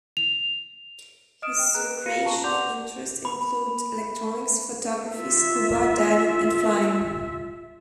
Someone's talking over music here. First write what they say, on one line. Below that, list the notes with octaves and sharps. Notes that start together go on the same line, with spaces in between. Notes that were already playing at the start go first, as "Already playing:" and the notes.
His recreational interests include electronics, photography, scuba diving, and flying.
F7
D#5 D#6 F6 D7 E7
G5
G#4 B4 A#5 F#6
F4 G4 F5 A#6 C#7 D#7
F4 G4 A5 A#5 C#6
D5 F#5 C6 D6 G6 F7
B5
F4 E5